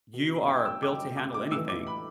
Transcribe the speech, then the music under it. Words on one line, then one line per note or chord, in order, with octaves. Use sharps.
You are built to handle anything.
B2
G5
E6
D6
D6
D6
A2 E3 E6
D6
B5